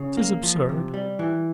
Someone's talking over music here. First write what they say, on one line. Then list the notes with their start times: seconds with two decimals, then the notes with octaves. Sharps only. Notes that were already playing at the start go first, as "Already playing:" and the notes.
'Tis absurd!
Already playing: C#3
0.17 A#3
0.43 F3
0.69 C3
0.94 G3
1.19 E3